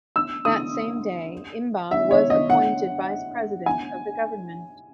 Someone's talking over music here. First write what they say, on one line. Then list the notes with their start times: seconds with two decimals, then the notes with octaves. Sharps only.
That same day, M'ba was appointed vice president of the government.
0.16 E6
0.45 D#6
1.91 E5
2.11 C#5
2.30 D#5
2.50 F#5
3.66 G#5